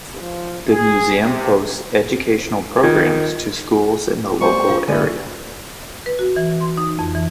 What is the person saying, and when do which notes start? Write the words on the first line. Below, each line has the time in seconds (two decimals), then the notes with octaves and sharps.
The museum hosts educational programs to schools in the local area.
0.21 F3
0.68 G#4
1.23 C3
2.83 D#3 F4 G#6
4.41 G3 A3 B3 C5 A#5 C#6
4.68 F4 F5
4.88 D3 G#3 A#3 E4 A4 D5 D#7
6.06 B4
6.19 F#4
6.36 E3
6.61 C6
6.77 D#4
6.99 F2
7.15 E3